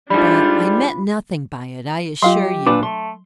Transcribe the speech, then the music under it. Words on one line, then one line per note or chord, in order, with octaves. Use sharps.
But I meant nothing by it, I assure you.
G#2 G3 D4 F4 B5
F#3 F4 G4 F5 C6
A#2 D4 B4 D6
A3 C6